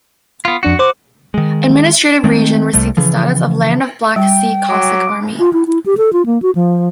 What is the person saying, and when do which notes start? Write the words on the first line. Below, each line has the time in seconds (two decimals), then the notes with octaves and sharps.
Administrative region received the status of "Land of Black Sea Cossack Army".
0.45 B3 F4
0.63 F2 D4 F#4 C#7
0.79 F#4 C5 D6
1.34 D#3 G#3
2.24 D#3 G#3 A3 C4
2.73 C2 C3 G3 A3
2.97 C#3 E3 F3
4.16 G3 G5
4.69 F#3 D6
5.39 F4
5.53 E4
5.67 E4
5.86 G4
5.97 A4
6.13 F4
6.26 A#3
6.42 F#4
6.55 F3